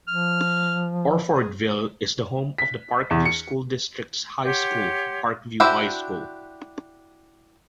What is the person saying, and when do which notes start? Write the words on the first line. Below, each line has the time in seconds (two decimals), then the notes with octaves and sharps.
Orfordville is the home of the Parkview School District's high school, Parkview High School.
0.08 F3 F6
1.34 G#4
2.58 B6
3.11 E2
3.25 C#7
4.45 G4 C#5 F#5 C6
5.60 D4 E4 F#4 G4 C5